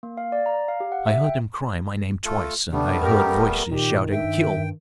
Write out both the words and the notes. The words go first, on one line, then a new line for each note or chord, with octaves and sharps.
I heard him cry my name twice; and I heard voices shouting, 'Kill!
A#3
F5
D5
A#5
F5
G4
F#5
E5
G5
A3 F4 A4
C3 G3 A3 B3 D4
F#2 G4 A#4
D1
A#2 D#3 G4
G2 E5 G5